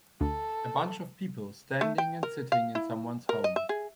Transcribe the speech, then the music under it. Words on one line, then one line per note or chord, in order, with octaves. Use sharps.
A bunch of people standing and sitting in someones home.
D2 A4
A3
G5
A#4
F5
E4
A#4
D#5
E5
G#4